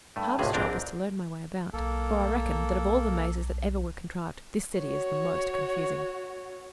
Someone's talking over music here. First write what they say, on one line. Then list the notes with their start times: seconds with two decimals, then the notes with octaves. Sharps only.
The hardest job was to learn my way about, for I reckon that of all the mazes that ever were contrived, this city is the most confusing.
0.16 G2 A3
0.39 G#1 C#2 A2 C3 G#4
0.53 A#1 G#2 C4 D4 A#4 G5
1.73 B1 A#3 A4
4.78 F#4 C#5